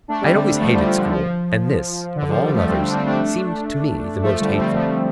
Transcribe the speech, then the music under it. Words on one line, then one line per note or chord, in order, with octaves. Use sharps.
I had always hated school; and this, of all others, seemed to me the most hateful.
A3 D4
G3 C4
D3 G3
F3 A3
D3 G3
F3
D3
F3
D3
F3
D3 G3
F3 A3
G3 C4
A3 D4
G3 C4
A3 D4
F3 A3
D3 G3
G3 C4
F3 A3